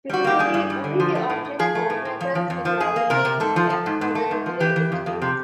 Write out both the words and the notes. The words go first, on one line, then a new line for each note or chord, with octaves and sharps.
Typically, only the object's own methods can directly inspect or manipulate its fields.
G3 F#4
A#3 G4
G3 G#4
G2
G3
D3
F3
A3
A2
A2
F3 G#4
A3
A2
A2
F3
F3
F2
F3
F2 G#4
A#3
C3 A#4
C3
G#2 A4
F3
F3
G#2
G#2
A3
G#2
F3
E3 G4
E3
F2
F2
C3